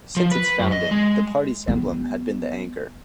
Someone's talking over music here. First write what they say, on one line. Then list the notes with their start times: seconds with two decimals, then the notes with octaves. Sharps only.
Since its founding, the party's emblem had been the anchor.
0.16 F3
0.31 B4
0.59 F#2
0.72 D#5
0.91 G#3
1.68 G3 B3